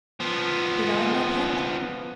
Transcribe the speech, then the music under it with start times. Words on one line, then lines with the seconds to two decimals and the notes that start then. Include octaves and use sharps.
"Did I, my pet?"
0.20 F3 B3